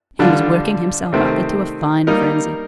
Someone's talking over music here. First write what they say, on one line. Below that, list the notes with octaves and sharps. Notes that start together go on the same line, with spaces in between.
He was working himself up into a fine frenzy.
D3 G3 D4 F4
C3 D#3 A3 C4
G3 A#3 D#4 A#4